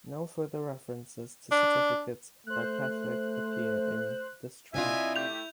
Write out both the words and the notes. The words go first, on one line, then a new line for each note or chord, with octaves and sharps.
No further references to certificates by Petherick appear in "The Strad".
D4
A3 C5 F#6
C3 D4 E4 F4 D#5 E5 G#5
A3 G4 G6 F7